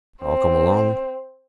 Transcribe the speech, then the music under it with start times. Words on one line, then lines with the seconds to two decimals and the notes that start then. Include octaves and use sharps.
"I'll come along."
0.23 C4